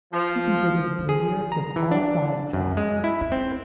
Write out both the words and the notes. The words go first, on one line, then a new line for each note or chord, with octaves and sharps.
He contributed to the lyrics of all five tracks.
F3
G#4
A#5
E3
D4
F#2
G#3
E4
C4